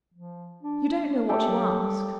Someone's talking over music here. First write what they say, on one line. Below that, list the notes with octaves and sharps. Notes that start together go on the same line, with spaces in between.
"You don't know what you ask."
F3
D4
A3 G4 A4
F#3
G3